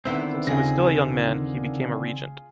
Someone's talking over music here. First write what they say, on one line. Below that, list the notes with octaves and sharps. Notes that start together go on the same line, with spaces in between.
Since he was still a young man, he became a regent.
D3 D#3 B3 C4 E4
D#2 C#3 F4 G#4 A#6